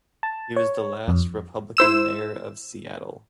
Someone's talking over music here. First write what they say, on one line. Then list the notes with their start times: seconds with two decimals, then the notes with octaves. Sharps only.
He was the last Republican mayor of Seattle.
0.23 A5
0.56 C#5
1.08 F2
1.77 E4 C5 E6 E7